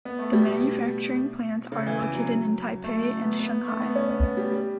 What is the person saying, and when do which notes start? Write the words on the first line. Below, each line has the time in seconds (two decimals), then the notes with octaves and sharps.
The manufacturing plants are located in Taipei and Shanghai.
0.05 B3
0.19 A3
0.33 G3
0.47 B2
0.61 B2
1.72 C#3
1.87 E3
2.00 E3
2.15 F#3
2.84 A3
3.02 A3
3.22 B3
3.40 B3
3.68 A3
3.82 B3
3.95 C#4
4.10 B3
4.23 B3
4.37 G3
4.52 G3